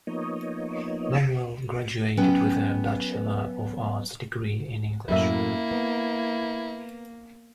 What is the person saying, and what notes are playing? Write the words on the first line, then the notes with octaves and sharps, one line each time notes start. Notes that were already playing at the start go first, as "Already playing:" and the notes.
Longwell graduated with a Bachelor of Arts degree in English.
F3 A#3 B3 D#4 C#5 D#5
F#3 B3 C#4 B4 G5
F#2 A2 A#3 E4 E5
B3